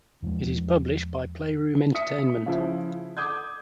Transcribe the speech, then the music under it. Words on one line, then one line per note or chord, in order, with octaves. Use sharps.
It is published by Playroom Entertainment.
E2 F3 F#3 G#3
E5 D#6 B6 C#7
C#3 F3 E4
D6 D#6 G6 G#6